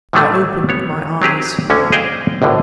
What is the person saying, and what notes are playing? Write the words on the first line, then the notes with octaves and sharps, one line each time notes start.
I opened my eyes.
A2 D3 D#3 F#3 G3 A3
B3 C#5
F#3 C4 G4 G#4
D2 D3 C#4
G#4 C5 D#5 F5 G5 G#5
G#1 C#2 A2 D3 G3